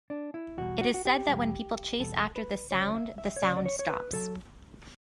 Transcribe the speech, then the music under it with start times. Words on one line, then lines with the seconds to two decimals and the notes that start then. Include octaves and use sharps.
It is said that when people chase after this sound, the sound stops.
0.10 D4
0.34 E4
0.57 E2 B2 G3 F#4
0.81 F#4
0.94 F#4
1.05 G4
1.28 E2 B2 G3
1.99 E2 B2 G3 A4
2.36 B4
2.71 D2 C#3 F#3 C#5
2.95 E5
3.18 E5
3.36 C#5
3.42 D2 C#3 F#3 D5
3.57 D5
3.66 C#5
3.79 C#5
3.89 B4
4.13 C#3 F#3 A4